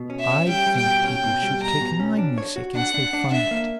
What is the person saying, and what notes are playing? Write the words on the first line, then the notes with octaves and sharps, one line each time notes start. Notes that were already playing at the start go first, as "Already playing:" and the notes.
I think people should take my music as they find it.
Already playing: B2
C#4
E5
C#4
G3 G5
G3
G5
B2
C#4 G5
B2
G3
B2 A#5
B2
C#4
D4
C#5
F#4
D4 F#5
D4
D4
D4 E5
A#3